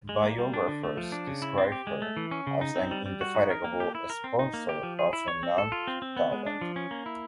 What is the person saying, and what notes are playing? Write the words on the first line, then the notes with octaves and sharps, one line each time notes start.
Biographers describe her as "an indefatigable sponsor of unknown talent".
G#3
A#3
G3
D4
D3
A3
F3
D4
C#3
E4
C4
G4
G#3
A3
E3
C#4
C#3
D#4
C4
G3
G3
F#4
D#4
A#4
A#3
G4
E4
A#4
C4
D#4
A#3
G4
F3
G#4
E4
C#5
C4
A4
F4
C4
C4
B3
G#3
D4
F3
C#4
A#3
E4